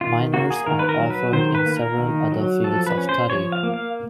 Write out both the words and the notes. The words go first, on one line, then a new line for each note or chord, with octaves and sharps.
Minors are offered in several other fields of study.
D#3 F4
A#3 F#4
G#4
D#3 A#4
B4
A#4
F#3
B4
D#3 C5
B4
A#3
A#4
D#3
F#3
F3 A4
B4
C#4
C5
F3 C#5
F5
A#3
F5